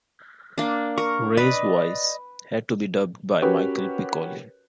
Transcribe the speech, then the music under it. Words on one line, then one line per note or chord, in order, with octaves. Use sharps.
Rey's voice had to be dubbed by Michel Piccoli.
A#3 D4
A#4 C#6
B4 D5 D#5
C#4 F#4 G4 A#4 B4 C#5